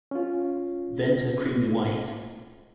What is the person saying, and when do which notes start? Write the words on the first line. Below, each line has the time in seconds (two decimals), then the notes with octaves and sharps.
Venter creamy white.
0.11 C#4 F4